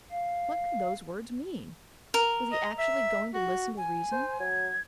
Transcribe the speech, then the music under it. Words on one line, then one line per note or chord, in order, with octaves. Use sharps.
What could those words mean?--Was he actually going to listen to reason?
F5
A#4
D#5
E5
F#4
G#5
C5 G6
F#3 G#6